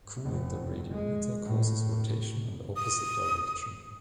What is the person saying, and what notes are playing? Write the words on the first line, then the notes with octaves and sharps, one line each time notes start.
Cooling the radiometer causes rotation in the opposite direction.
F1
G#3
A2
D#6